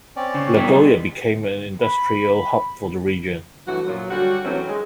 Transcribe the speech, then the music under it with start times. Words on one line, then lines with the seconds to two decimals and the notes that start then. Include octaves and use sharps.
Nagoya became an industrial hub for the region.
0.16 C4 C#4 D5
0.34 C#3
0.56 B2 D#3 G3
0.69 G#3
1.82 B5
3.67 G2 E3 F#3 A3 F#4
3.88 F#2 A#2 F3 F#3
4.10 D3 G3 C#4 F#4
4.44 D#3 E3 F#3 A3 C4 C#4
4.68 G#3